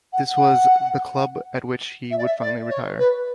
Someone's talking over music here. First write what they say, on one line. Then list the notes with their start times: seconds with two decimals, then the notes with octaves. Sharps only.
This was the club at which he would finally retire.
0.12 F#5
0.35 F#5
2.10 E5
2.18 D5
2.25 E5
2.40 D5
2.69 C#5
2.98 B4